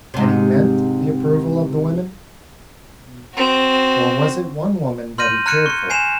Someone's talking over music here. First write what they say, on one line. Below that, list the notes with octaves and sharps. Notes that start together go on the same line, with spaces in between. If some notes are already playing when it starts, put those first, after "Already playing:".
Had he meant the approval of the women, or was it one woman that he cared for?
G#2 C3
C4 F#4
C6 F6 G6 A#6 D#7
A#5 F6 F#6 G#6 C#7 D#7
C#6 C#7
G#5 C7 E7 F7